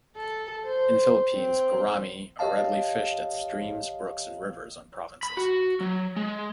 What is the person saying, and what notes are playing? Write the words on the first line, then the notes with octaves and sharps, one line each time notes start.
In Philippines, gouramis are readily fished at streams, brooks and rivers on provinces.
A4
C5
C4
G4 C#5 D#5 F5 A5
B5
F#4
F#3
G#3